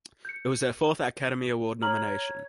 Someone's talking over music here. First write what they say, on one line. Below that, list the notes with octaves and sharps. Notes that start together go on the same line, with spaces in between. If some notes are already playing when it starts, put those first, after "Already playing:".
It was her fourth Academy Award nomination.
G6 C#7
C#5 A#5 F6 F#7